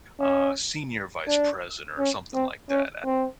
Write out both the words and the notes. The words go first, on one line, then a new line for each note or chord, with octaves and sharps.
uh, senior vice president or something like that,
C#4
D4
C#4
C4
C#4
C4